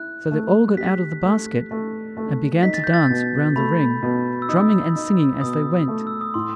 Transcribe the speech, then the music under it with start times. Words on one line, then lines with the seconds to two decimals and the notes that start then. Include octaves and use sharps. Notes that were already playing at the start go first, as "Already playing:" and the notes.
So they all got out of the basket, and began to dance round the ring, drumming and singing as they went.
Already playing: E4 F#6
0.31 A3
0.77 G4 B6
1.24 A3
1.71 A3
2.17 A3
2.63 D#4 B6
2.74 A6
2.84 G6
2.94 A6
3.10 B2
3.56 A3 B5
4.03 B2
4.42 E6
4.49 D#4 D#6
4.96 D#4
5.41 B2 D#6
5.88 A3
6.07 E6
6.21 D#6
6.34 A2 C6